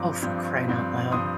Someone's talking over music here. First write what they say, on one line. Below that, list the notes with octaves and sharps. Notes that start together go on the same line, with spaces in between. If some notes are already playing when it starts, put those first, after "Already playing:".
Oh, for crying out loud.
Already playing: G2 F3 C4 A#5 D6
G2 F3 C4
G2 F3 C4
G2 F3 C4 C6 D#6